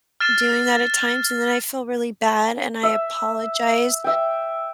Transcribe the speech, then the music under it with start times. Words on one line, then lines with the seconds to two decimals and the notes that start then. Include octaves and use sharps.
doing that at times, and then I feel really bad, and I apologize.
0.20 F6 A6 C7 E7
2.83 E5
4.04 E5 G5